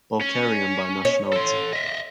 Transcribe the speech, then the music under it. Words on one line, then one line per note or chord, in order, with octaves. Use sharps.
Balkarian by nationality.
C#4
C#5
A4 C6
D#5 E5